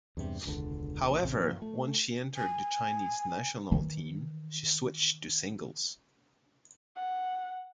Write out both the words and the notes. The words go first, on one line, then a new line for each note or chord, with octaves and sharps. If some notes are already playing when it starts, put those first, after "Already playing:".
However, once she entered the Chinese national team, she switched to singles.
E2 G2 C3
E1 C#2 D3
A#1 A#2
F1 A#1 C#3 C4
A2 F3 A#3
A3
G#5
D#3 E3
F#5